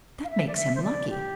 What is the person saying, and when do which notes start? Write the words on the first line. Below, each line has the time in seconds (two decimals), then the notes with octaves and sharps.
"That makes him lucky."
0.24 F5
0.30 E5
0.47 D5
0.56 E5
0.75 C5
0.83 D5
1.09 G4